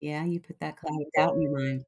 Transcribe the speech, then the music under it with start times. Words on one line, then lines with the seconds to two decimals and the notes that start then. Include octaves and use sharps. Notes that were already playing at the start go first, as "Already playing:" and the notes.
yeah, you put that cloud of doubt in your mind.
1.17 C#5